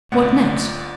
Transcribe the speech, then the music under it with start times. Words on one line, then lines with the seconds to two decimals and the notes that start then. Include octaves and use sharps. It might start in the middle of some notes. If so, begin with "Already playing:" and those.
What next?
0.12 G1 C#2 A2 C3 D5 F#5